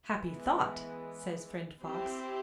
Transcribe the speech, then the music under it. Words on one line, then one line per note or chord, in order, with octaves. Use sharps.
'Happy thought!' says friend Fox.
E3 G#3 B3
C4 E4 G4 C5